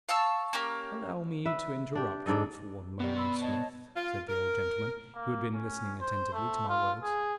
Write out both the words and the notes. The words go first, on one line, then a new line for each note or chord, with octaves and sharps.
"Allow me to interrupt you for one moment, Smith," said the old gentleman, who had been listening attentively to my words.
F5 A5 C#6 E6
A#3 C#4 G4 A#4
B4 E5
D4 G4
G#2 D4 A4 D#5
B2 B3 G4 D5
B5 C6 E6
C#5 D#5 A5
F4
A#4
A#3
C#4
C5
A3
F4
G#4